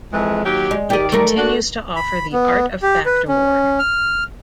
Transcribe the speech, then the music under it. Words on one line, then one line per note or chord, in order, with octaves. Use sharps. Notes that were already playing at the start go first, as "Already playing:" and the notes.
It continues to offer the Art of Fact Award.
F2 E3 G#3
D#2 F#3 G4
G#3
D#3 G4 D5 D#5
A3 A#4
D4 F#4
B5
B3
G4
B4
C#4
F6